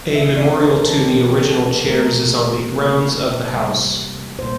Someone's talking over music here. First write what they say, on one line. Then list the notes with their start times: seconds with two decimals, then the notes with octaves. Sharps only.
A memorial to the original chairs is on the grounds of the house.
0.15 E3 E5
0.18 A#3
0.37 D5
0.57 C5
0.70 A#4
0.79 A4
0.99 C3 E3 A3 G4
1.42 A4
1.84 C3 E3 A3 A#4
2.69 C3 G3 A#3
3.53 C3 G3 A#3
4.39 A#2 G3 A#3 C5